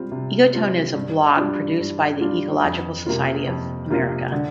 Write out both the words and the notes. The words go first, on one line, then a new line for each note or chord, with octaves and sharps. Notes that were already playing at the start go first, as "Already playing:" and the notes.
EcoTone is a blog produced by the Ecological Society of America.
Already playing: G3 C4 F4
C3
G3 C4 F4
G2
G3 D4 F4
G2
G3 D4 F4
F2
C3 A#3 F4
F2
C3 A#3 F4
D3